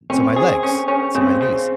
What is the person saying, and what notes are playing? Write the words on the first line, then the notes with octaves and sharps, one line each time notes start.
to my legs, to my knees.
C4 C#4
G#4
C#4
C#4
C#3 C4
C#3